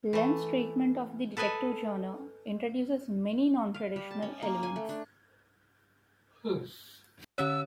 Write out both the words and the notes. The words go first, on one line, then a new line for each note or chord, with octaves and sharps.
Lem's treatment of the detective genre introduces many nontraditional elements.
E3 A3
A4 B4 D#5 G#5 A5
F5
G3
A5
C#4
A#3
G#5
A3
D4
D3 C#4 C#5 E6